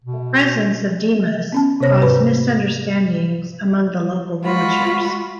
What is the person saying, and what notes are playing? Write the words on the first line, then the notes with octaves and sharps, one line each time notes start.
The presence of Dimas caused misunderstandings among the local villagers.
B2
B3 C#4 A5
C3 B3 C5 C#5 A#6
G#2 F#4 B4 C5 B5
G#3 F4 F#4 B5